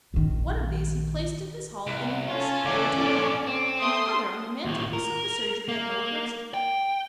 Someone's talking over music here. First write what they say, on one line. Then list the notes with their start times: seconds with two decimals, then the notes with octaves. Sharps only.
One of these he placed in his hall in the house at Kennington Road, and the other on the mantelpiece of the surgery at Lower Brixton.
0.14 A#1 D#3
1.87 C2
2.28 C#4 F4 A4
2.65 C#2 E3 D5
3.00 A#2 D4
3.47 C4
3.80 A3 C6 D#6
4.65 D#2 A2
4.93 A#4
5.68 A#3
6.54 G5